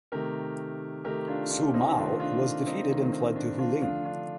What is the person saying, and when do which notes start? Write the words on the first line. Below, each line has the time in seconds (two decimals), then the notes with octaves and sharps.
Su Mao was defeated and fled to Huling.
0.12 C3 D#3 A3 G4 A#4
1.05 C3 D#3 A3 G4 A#4
1.28 D4 F4
1.50 D4 F4
1.74 C4 D#4
1.97 C3 D#3 A3 D4 F4
2.20 D4 F4
2.66 C4 D#4
2.89 C3 D#3 A3
3.13 C4
3.36 D4
3.59 D4 F4
3.82 D3 F3 A3 D4 F4
4.05 D4 F4